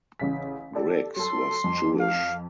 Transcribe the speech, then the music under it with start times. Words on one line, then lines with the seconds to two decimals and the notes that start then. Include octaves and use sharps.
Griggs was Jewish.
0.19 A1 C#3 B6
0.74 G4 A4 D5
1.16 F#3 A4 C6
1.64 F2
2.00 F5